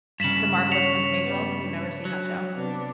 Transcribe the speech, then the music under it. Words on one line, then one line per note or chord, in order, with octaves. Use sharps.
"The Marvelous Mrs. Maisel"? You've never seen that show?
G2 C#3 B6 E7 F#7
C#5 C#6 B6 C#7 F7
G3 B3
D4 C#5
F#3
C3 B3 D4